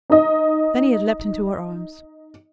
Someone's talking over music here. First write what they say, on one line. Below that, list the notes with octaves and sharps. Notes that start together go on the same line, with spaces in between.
Then he had leapt into her arms.
D#4 D#5